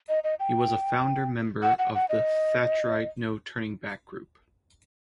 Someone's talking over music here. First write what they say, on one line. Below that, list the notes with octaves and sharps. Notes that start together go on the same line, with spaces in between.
He was a founder member of the Thatcherite No Turning Back group.
D#5
D#5
G5
F#5
F#5
F#5
D#5